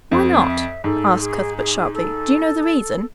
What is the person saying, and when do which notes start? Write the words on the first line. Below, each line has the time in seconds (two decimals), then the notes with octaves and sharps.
"Why not?" asked Cuthbert sharply; "do you know the reason?"
0.11 F2 C5
0.36 F5
0.47 E5
0.84 G#2 A4
1.21 G#4
1.58 G#4
1.94 A4